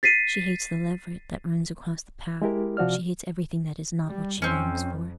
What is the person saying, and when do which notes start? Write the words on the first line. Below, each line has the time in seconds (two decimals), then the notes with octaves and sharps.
She hates the leveret that runs across the path; she hates everything that is not what she longs for.
0.03 A6 B6 C7 D#7
2.42 G#3 E4 G4 A#4
2.77 C3 F3 F#4 D5 F6
4.07 G3
4.42 F2 C4 C#4